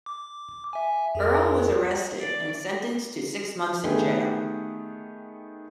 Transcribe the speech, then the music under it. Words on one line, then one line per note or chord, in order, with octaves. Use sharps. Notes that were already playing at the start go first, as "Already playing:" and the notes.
Earle was arrested and sentenced to six months in jail.
D6
E5 G#5
F2 G#4 A#4
D5
D#3 A3 B3 G4 G#4 B4